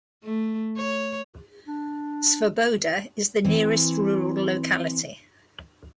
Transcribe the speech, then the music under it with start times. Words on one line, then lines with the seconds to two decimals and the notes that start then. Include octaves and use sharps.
Svoboda is the nearest rural locality.
0.24 A3
0.77 C#5
1.67 D4
3.45 E3 C4